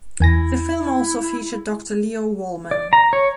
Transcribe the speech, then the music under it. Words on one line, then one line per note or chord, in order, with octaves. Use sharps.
The film also featured Doctor Leo Wollman.
E2 E4 G#5 A#6
D5
A#5
C#5